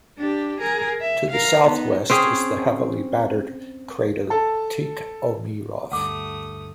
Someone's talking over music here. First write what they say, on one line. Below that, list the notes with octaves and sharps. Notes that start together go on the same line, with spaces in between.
To the southwest is the heavily battered crater Tikhomirov.
D4 G4
G#4 A#4
E5
A#4 F5
B3 D#4
C4 C#4 G#4
A4 A5
D2 G2 A3 F#5 D6 D#6